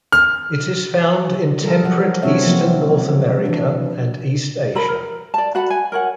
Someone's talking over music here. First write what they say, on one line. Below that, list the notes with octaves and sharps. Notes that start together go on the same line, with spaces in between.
It is found in temperate eastern North America and East Asia.
F6
E3 F3 G3 F4 A4 A#4
F3 F#3 F#5
C3 C4 C#4 C#5 E5
F3 F#3 A#3 C4 F4 F#4
E3 D4
A4 A#4 B5
A#4
D5 A5
F#4 A4 F#5 B5
G#5
A#4 C#5 F#5